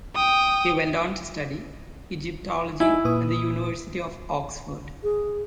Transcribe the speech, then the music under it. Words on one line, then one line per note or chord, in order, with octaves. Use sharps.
He went on to study Egyptology at the University of Oxford.
G5 D#6
D#4 E4 G#5
A#2 B4 D#6
G#4